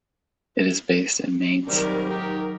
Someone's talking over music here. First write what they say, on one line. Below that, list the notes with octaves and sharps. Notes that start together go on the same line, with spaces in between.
It is based in Mainz.
C3 D#3 F#3 G3 G4 A#4
G#2 D#4 G4 A#4